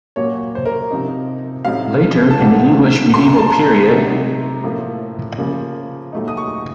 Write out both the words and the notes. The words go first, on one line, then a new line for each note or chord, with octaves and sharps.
Later, in the English Medieval period.
A#2 F#3 A#3 C#5
C5
A#4
C3 F3 C4 D#4
A2 F#3 C4 D#4 F5
A5
A#2 F3 A#3 F#5
A2 F#3 A3 C6
A#5
A5
A#5
C3 F#3 A3 C4 D#4
A2 F3 A#3
C#3 F3 A#3
A#2 F#3 A3 D#4
D#6
C#6